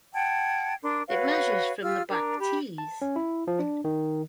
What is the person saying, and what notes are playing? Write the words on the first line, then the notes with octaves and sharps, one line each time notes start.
It measures from the back tees.
F#5 G5 A5 G#6
D4 A#4 C6
F#4 B4 C#5 F5
F4 G4 E6 F6
D4 A#4
G4 B5
A5
C#4
E4
F3
D4
D#3